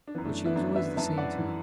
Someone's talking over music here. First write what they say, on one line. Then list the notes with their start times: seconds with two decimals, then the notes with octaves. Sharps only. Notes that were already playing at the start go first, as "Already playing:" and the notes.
But she was always the same to me.
0.07 D4
0.15 E3 B3
0.18 F#2
0.25 A3 D4
0.45 B3 E4
0.55 F#2 D4 F#4
0.60 E3
0.76 B4 E5
0.97 F#2 E3 E5 A5
1.18 D5 F#5
1.38 E3